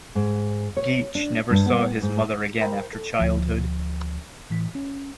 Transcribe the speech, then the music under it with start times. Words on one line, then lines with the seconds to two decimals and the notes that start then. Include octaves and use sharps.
Geach never saw his mother again after childhood.
0.15 G#2
0.77 C#5
1.15 D4
1.51 G2
1.66 B3
2.02 G#2
2.60 A#4 C5 G5 A#5 B5
2.93 A4
3.19 D2 F3
4.50 A2 E3 B6
4.75 C#4